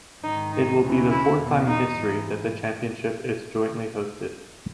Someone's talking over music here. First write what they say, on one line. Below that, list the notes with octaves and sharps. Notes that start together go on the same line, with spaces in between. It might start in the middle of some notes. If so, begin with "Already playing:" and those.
It will be fourth time in history that the championship is jointly hosted.
G#2 D#3 D#4
D#4
D#2 C#3 E3
E4
E2 B2
D#4
G#2 E3